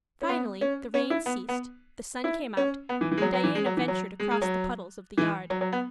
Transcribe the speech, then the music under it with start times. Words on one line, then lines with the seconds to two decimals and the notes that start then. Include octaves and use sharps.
Finally the rain ceased, the sun came out, and Diana ventured across the puddles of the yard.
0.22 C#4
0.29 B3
0.61 C#4
0.94 C#4
1.10 E4
1.26 B3
1.49 B3
2.24 E4
2.57 C#4
2.89 B3
3.01 E3
3.12 E3
3.17 G#3
3.22 F#3
3.34 F#3
3.44 E3
3.55 G#3
3.66 F#3
3.77 E3
3.88 F#3
4.19 G#3
4.31 G#3
4.42 F#3
5.18 E3
5.50 F#3
5.61 F#3
5.72 B3